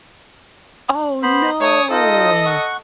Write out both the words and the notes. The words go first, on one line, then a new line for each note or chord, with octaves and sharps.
Oh, no.
B3 C5 B5
A3 C#5 D#6
D#4 F4 A4 D#5
F#5 C#6